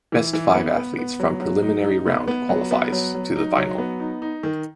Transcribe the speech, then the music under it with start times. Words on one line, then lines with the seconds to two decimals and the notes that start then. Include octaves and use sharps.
Best five athletes from preliminary round qualifies to the final.
0.12 E3
0.33 E3
0.55 B3
0.77 B3
0.98 B3
1.20 F#3
1.41 F#3
1.62 D#4
1.85 D#4
2.06 B3
2.28 B3
2.49 F#3
2.71 B3
2.92 F#3
3.14 F#3
3.36 D#4
3.57 F#3
3.78 B3
4.00 D#4
4.22 D#4
4.43 D#3